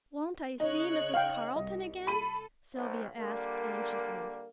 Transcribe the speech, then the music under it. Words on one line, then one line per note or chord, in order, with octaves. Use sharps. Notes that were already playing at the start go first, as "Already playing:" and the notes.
"Won't I see Mrs. Carleton again?" Sylvia asked anxiously.
C#3 D#4 C#5 F#6
F5 G5
C2 D#5
A4 B5 D#7
B1 C5
D3 G3 A#3 A#4